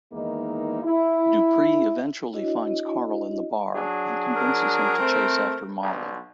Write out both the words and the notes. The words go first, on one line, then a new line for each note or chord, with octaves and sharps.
Dupree eventually finds Carl in the bar, and convinces him to chase after Molly.
E2 D#3 G#3 A#3 D#4 E4
E4
D4 E4 F#4 C#5 D#5
F#3 D4 G#4
A#4
A3 C4
B1 G2